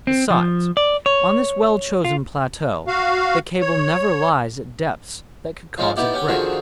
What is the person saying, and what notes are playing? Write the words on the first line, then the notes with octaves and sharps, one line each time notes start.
Besides, on this well-chosen plateau, the cable never lies at depths that could cause a break.
C4
F3
D5
C#5
F4
F#4 F5
C#5
F3 G#3 C4 C#4 F4
B3 D#4 E4 G4 D5 F#5
C#4 G4 F#5 G5
D3 D#3 F3 C4 F#4 G#4